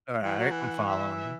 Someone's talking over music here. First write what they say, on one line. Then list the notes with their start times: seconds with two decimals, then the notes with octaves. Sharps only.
All right, I'm following you.
0.25 E3 F#5
0.39 F#3
0.51 E3
0.87 E5